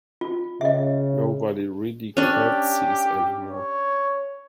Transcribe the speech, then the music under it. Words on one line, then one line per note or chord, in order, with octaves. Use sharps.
Nobody really curtsies anymore.
F4
C#3 D#5 E5
C#4 D4 G4
C#5